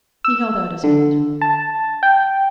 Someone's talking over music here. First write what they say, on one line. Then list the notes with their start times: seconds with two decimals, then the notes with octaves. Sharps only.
He held out his hand.
0.24 E6
0.84 D3
1.41 A5
2.03 G5